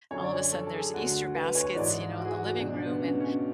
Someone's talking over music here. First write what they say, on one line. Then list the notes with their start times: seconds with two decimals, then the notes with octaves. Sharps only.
all of a sudden, there's Easter baskets, you know, in the living room, and
0.11 F#2 D3 C#5
0.24 D5
0.35 C#5
0.52 A4
0.67 A4
0.73 G#4
0.94 D2 D3 F#4
1.35 B4
1.55 C#5
1.76 G#2 E3 D5
2.17 F#4
2.25 G#4
2.32 F#4
2.58 C#2 B2 D4
2.73 D4
2.86 B3
3.01 C#4
3.20 C#4